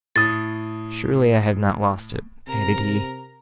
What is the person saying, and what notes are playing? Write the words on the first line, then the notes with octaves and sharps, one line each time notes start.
'Surely, I have not lost it,' added he.
A2 D#6 A6
C3 A#4 A#5